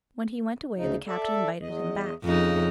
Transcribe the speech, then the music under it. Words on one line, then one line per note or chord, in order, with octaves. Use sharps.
When he went away the Captain invited him back.
D2 C#3 D#4
A4 D5 E5
E2 D#5
F2 C#3 D#4